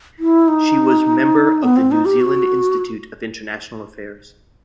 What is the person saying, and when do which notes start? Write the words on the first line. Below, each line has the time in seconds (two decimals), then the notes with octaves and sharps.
She was member of the New Zealand Institute of International Affairs.
0.19 E4
0.48 D#4
1.63 B3
1.77 C4
1.92 D#4
2.05 G4
2.21 F#4